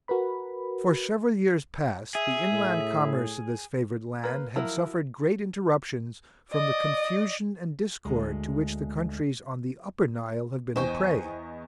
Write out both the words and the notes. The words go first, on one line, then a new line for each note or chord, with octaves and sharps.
For several years past the inland commerce of this favored land had suffered great interruptions from the confusion and discord to which the countries on the Upper Nile have been a prey.
F#4 A#4 B4 B5
G#4 E5
A2
A#3 B4
F3 F#3 E4 A#4
D5 D#5
D2 G#3
E2 C5 D#5 G5 G#5 C#6